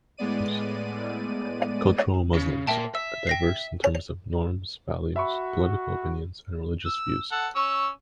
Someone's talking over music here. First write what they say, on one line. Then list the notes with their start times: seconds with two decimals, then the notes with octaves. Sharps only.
Cultural Muslims are diverse in terms of norms, values, political opinions, and religious views.
0.17 A2 G#3 B3 D5 D#7
2.35 C#3
2.67 A#2 A#3 E5 G5 A5
2.95 E5 E6
3.27 G5 A#6 C7
5.16 F#4 E5 B5 C#6
6.86 E6
7.31 A4 F#5
7.56 C#4 C#6 E6